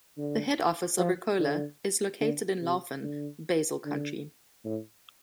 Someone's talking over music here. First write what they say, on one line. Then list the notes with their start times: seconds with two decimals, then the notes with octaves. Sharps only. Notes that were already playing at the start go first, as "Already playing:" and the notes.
The head office of Ricola is located in Laufen, Basel-Country.
0.18 D3
0.98 F3
1.39 D3
2.20 D3
2.62 C3
3.03 D3
3.85 D3
4.65 A2